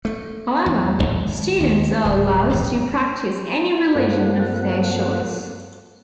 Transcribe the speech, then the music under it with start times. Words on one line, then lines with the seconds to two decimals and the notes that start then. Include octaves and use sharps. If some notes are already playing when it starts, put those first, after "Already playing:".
However, students are allowed to practice any religion of their choice.
0.05 A3
0.66 E2
0.99 D1 G#1
1.61 D#2
2.05 D1
2.50 D1 F#2 E3 G#3
3.95 G2 A#3 C4 F4 A4 F#5